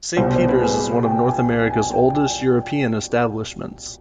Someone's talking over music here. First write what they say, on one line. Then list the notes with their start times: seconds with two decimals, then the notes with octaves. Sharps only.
Saint Peter's is one of North America's oldest European establishments.
0.17 C2 B2 G3 C5
0.36 C5
0.49 B4
0.61 G#4
1.05 G5
1.27 G#5
1.49 G#5
1.70 G#5
1.92 G5
2.14 G#5